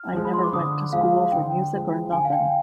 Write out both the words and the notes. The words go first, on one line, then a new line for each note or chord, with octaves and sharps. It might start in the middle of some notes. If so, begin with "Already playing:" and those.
I never went to school for music or nothin'.
Already playing: F6
F3 G#3
B5
C6
D6
D3 D#6
F3 G#3 F5
D3 G5
F3 G#3
D3 G#5
F5
G5